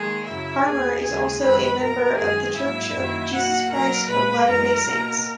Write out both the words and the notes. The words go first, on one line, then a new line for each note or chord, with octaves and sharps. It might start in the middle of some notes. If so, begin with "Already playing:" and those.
Harmer is also a member of The Church of Jesus Christ of Latter-day Saints.
Already playing: D#3 G#3 A#3 G#4
F#2 C#3 F#3 E4 E5
E2 B2 A#3 G#4 G#5
D#2 C#3 E3 G#3
F#2 D#3 G#3 B4 B5
B2 A#3 A#4 A#5
F#2 D#3 G#3 G#4 G#5
G#2 F#3 A#3 E4 E5
F#2 D#3 F#3 A#3
B2 A#3 F#4 F#5
B2 F#3 A#3 A#4 A#5
A#2 G#3 B4 B5
F#2 E3 G#3 A#4 A#5
B2 A#3